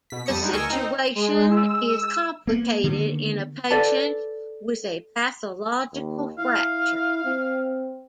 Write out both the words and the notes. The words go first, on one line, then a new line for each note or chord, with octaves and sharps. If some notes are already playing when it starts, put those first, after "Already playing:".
The situation is complicated in a patient with a pathological fracture.
B2 B6
F2 G3 A5 D#6 C#7
G3 G#3 D4 D#4
D2 A#4 D#5 G#5 C#6 E6
C4 D#4
G#3
E6
A#3 B3
D3 D#3 A#3 B3
A4 B4 D5 G#5 A5
D#2
E4 F5
C4